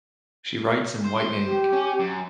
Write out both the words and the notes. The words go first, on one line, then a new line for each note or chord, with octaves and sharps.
She writes in white ink.
C5
G4
C#4
F#2